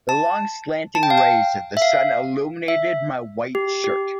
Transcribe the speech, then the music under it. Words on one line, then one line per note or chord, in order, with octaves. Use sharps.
The long, slanting rays of the sun illuminated my white shirt.
A5
A5
G5
F5
G5
E5
F5
E5
G4
G4